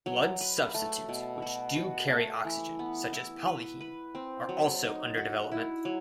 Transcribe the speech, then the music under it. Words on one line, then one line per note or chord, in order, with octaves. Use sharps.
Blood substitutes which do carry oxygen, such as PolyHeme, are also under development.
F#3
B4
A3
B2
F#4
F#4
A3
E3
B3
E4
B4
B4
C4
F#3
D#4
F#4
E4
F#3